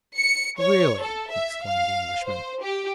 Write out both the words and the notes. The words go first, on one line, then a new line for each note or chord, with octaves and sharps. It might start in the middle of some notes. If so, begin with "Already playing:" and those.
"Really!" exclaimed the Englishman.
C#7
C#5
A4
E5
F5
C5
G4